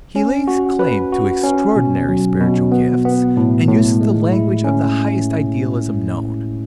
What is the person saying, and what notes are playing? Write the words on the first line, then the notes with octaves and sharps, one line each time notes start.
He lays claim to extraordinary spiritual gifts, and uses the language of the highest idealism known.
C#4
F#4
B4
F#4
C#4
B2
F#3
B2
B3
B3
A2
A2
G#3
E4
C#4